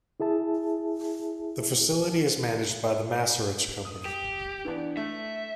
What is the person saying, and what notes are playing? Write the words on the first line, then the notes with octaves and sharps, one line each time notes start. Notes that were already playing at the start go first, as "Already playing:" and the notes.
The facility is managed by The Macerich Company.
E4 G#4 E5 A5
D#6
G4
E3 B3 D4
A3 E5